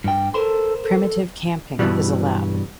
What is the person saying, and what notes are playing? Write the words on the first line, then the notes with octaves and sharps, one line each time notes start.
Primitive camping is allowed.
G2 G5
A4 A#4 C5 C6
A4
G2 B2 D#3 E3 F#3 G3